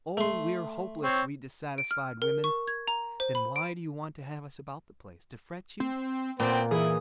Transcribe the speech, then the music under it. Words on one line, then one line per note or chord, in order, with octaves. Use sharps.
Oh, we're hopeless, we dissatisfied women! Then why do you want to have us about the place, to fret you?
A3 C6
C4 C#5
D7
F6
A#4
C#6
G#6
A#5
C5
B5
D7
C4
A#2 B3 C4 C5 G5
E3 E4 G#4